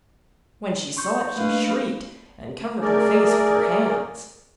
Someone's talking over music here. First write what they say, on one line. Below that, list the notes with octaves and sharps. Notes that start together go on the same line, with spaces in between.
When she saw it she shrieked, and covered her face with her hands.
C6 C#6 G6
A3 A#3 D4 B4 F5
A3 G#4 A#4 D5